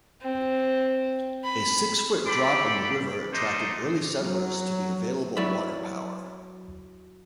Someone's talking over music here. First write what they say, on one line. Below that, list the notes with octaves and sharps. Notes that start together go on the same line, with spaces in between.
A six-foot drop in the river attracted early settlers to the available water power.
C4
B5
D4 G4 A4 B5 D6
A3 D4 D#4 C5 D#5
F#3
F#3 E4 D5 B5